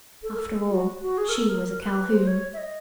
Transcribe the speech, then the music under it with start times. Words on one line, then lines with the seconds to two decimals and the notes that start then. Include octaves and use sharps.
After all, she was a Calhoun.
0.23 A4
0.35 A#4
0.39 A4
0.71 F#4
1.02 F#4
1.18 G#4
1.29 A#4
1.33 A4
1.49 A#4
1.80 B4
2.11 C5
2.27 C#5
2.53 E5
2.58 D#5